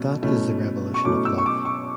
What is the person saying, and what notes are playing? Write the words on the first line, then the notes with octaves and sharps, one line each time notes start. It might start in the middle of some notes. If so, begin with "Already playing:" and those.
That is the revolution of love.
Already playing: B2 F#3 A3 C#4
B2 F#3 A3 C#4 E4
C#6
B2 F#3 A3 C#4 E4 D6
E6
C#6
D6
C#6